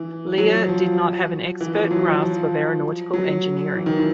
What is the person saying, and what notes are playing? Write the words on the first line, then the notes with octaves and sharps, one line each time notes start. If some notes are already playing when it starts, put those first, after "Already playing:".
Lear did not have an expert grasp of aeronautical engineering.
Already playing: E3
F#3
F3
E3
F3
F#3
F3
F#3
E3
D#3
E3